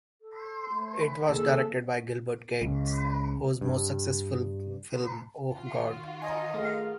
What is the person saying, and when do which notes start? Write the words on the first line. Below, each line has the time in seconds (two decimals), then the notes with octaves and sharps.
It was directed by Gilbert Cates, whose most successful film Oh, God!
0.21 A4
0.69 A3
1.29 B2 D#3 A#3 G#4 A4 E6
2.62 C#2
3.61 G2
5.52 D#3 F4 F#4
6.22 D#5 G#5
6.54 A3 G#4 A#4 F5